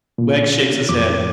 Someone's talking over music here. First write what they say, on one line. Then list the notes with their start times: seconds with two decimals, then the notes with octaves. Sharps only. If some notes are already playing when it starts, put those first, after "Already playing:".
Wegg shakes his head.
0.18 A#2
0.89 F2 D6